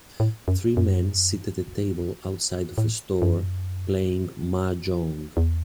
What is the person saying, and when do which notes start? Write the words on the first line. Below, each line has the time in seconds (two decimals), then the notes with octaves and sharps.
Three men sit at a table outside of a store, playing Mahjong.
0.20 A2
0.48 F#2
0.77 F#2
2.78 A2
3.22 F#2
5.37 E2